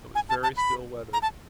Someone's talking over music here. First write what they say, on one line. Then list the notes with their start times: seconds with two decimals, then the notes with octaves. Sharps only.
It was very still weather.
0.15 G#5
0.29 A5
0.43 A5
0.57 B5
1.13 A#5
1.22 A5